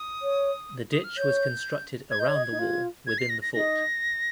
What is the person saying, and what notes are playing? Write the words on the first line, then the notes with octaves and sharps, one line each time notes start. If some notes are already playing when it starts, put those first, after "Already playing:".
The ditch was constructed around the wall within the fort.
Already playing: D#6
C#5
D#6
F6
C#5 G6
G#6
D#5 G6
C#5 G#6
D#5
D#4
F4
G#6
C7
A#6
A#6
D#4 A#6